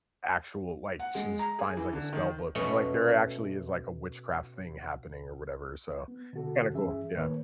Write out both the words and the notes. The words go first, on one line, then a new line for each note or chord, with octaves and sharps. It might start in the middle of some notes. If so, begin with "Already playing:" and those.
actual like, she's finds, like, a spell book. And, like, there actually is, like, a witchcraft thing happening or whatever, so it's kinda cool, yeah.
F#5
G#3
A#5
G#4
E3
D3
D#3
B2 A3 C#4
B3
B2 D3 F#4 A4
G2 E3 C#4 G#4 E5
A2 D#3 A#3 B4 C#5